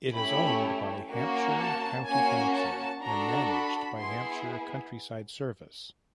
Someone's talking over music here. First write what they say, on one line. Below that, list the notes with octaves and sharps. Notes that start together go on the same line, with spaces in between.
It is owned by Hampshire County Council and managed by Hampshire Countryside Service.
A3 C#4 E4 G4 B5
A#3 C#4 F#4
A5
A#3 C#4 F#4 G#5
A5
D4 F#4 A4 A#5
B5
B3 E4 G#4 C6